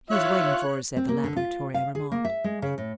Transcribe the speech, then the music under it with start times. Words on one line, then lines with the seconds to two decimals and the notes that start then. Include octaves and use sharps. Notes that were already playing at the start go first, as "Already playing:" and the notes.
"He's waiting for us at the laboratory," I remarked.
0.10 F4 C#5 E5 F#6
0.96 C4
1.09 A#3
1.24 D3
1.36 F4
1.74 F5
1.95 G#4
2.12 A#3
2.25 E5
2.44 G#3
2.62 C#3
2.78 A2